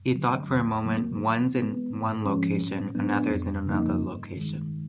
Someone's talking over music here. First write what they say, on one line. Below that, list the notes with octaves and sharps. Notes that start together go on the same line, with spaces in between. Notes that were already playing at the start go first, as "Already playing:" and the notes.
He thought for a moment: 'One's in one location, another's in another location.
Already playing: G2
D3 F#3 A3
E2
C#3 F#3 A#3
E3
G#3 B3
G#2
F3 G#3 C#4
A2
F#3 B3 D4
F2
C#3 F3 A#3 D#4
G2
D#3 G#3